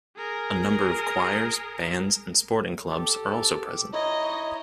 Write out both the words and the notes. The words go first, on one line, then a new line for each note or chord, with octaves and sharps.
A number of choirs, bands and sporting clubs are also present.
G#4 A#4
G4 A4
D#4 E4 C#5 D#5